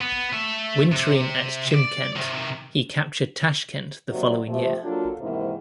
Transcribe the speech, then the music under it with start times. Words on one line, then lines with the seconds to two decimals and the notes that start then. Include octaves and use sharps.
Wintering at Chimkent, he captured Tashkent the following year.
0.01 B3
0.33 A3 E5
0.92 C3
1.71 D5 E5
2.16 C3 D#3
4.10 C3 D#3 F#3 A#3 D5
4.46 C3 F3 A3 G4
4.84 F#3 A#3 D4 F4 F#4 A4
5.19 E2 G#2 C3 D#3 E3 A#3